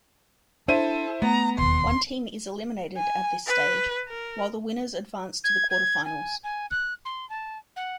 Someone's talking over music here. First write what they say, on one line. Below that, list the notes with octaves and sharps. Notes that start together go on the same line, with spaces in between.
One team is eliminated at this stage, while the winners advance to the quarter-finals.
D4 E4 A4 C5 D#7
A3 B3 A#5
E1 D#2 C6
G#5
B4
A#4
G#6
G#6
G#5
G#5
F#6
C6
A5
F#5